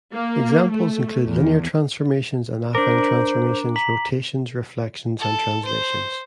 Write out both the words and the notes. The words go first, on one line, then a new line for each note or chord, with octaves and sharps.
Examples include linear transformations and affine transformations, rotations, reflections and translations.
A#3
A3
E2
D4 A#4 C5 D6
A#5 B6 F#7
A4
C5